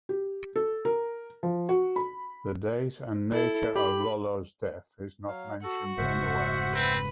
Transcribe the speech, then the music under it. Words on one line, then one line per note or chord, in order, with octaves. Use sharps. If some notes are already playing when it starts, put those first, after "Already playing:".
The date and nature of Iollas' death is not mentioned anywhere.
G4
A4
A#4
F3
F#4
B5
E4 A4
G4 B5
F#3 F5
F#4 A4
F1 G#2 C#3 C5 E5 F#5
C4 B4